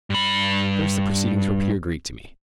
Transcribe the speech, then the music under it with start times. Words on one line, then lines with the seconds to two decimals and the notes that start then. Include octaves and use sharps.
At first the proceedings were pure Greek to me.
0.10 G2 B5